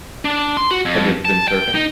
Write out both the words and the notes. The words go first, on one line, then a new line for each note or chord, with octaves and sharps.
Have you ever been surfing?
D4
C6
F#4
F2
A5
G5
D#4